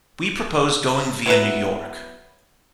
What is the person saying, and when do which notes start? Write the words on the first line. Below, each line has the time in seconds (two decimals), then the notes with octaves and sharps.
We propose going via New York.
1.26 F#3 B3 E4 B4